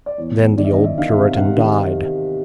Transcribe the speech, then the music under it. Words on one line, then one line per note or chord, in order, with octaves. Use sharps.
Then the old Puritan died.
D5
E2 C#5
E2
D#3 D5
E5
D#5
D#3
E5
D#3 F5
E5
C3 F5
F5
C3 F#5
D#3